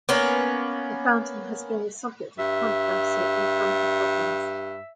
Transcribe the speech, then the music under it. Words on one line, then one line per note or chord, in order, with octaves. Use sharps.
The fountain has been the subject of controversy and mechanical problems.
A#3 B3 C#4
G2 E5